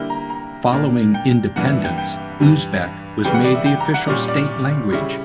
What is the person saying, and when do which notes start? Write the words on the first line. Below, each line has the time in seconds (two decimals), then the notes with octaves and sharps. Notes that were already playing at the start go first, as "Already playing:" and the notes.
Following independence, Uzbek was made the official state language.
Already playing: D3 G3 A#3 E4 G5
0.10 A#5
0.30 A#5
0.73 A#2 A#3 D4
1.14 G5
1.56 G2 E3 A#3 D4 F#5
1.70 E5
1.84 G5
1.98 G5
2.40 G2 E3 G3
3.24 C#3 E3 G3 B3 G5
3.34 F#5
3.44 D5
3.55 E5
3.66 G5
3.80 A#5
3.94 F#5
4.07 A#2 G3 C#4 D5
4.28 D5
4.92 C#3 G3 C#4 E4